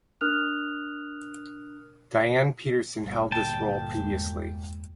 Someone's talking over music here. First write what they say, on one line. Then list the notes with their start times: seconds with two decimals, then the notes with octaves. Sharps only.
Dianne Peterson held this role previously.
0.21 D4 A#4 D#6 F6 F#6 F7
2.99 G1 D2 A#2
3.32 G5 A5
3.97 E2 G#3